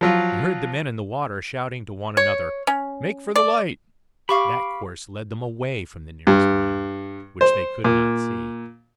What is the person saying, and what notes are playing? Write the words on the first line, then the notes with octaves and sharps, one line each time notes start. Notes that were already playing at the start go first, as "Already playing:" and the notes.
He heard the men in the water shouting to one another, "Make for the light." That course led them away from the nearest land, which they could not see.
F3 F#3 F4
C#5
C#4
D5
G4 F5 B5 C#6 D6
G2
C5
A#2